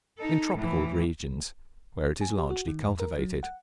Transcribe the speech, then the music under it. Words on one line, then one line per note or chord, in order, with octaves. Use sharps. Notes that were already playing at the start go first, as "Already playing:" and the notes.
In tropical regions, where it is largely cultivated.
D#4 A4
A2 E3
G#5
G4
F#4
D#3
F2
A#4
F#3
F#5